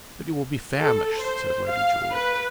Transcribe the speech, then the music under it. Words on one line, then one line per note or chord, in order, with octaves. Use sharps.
"But you will be famished," said Lady Julia.
A4
C5
F5
B4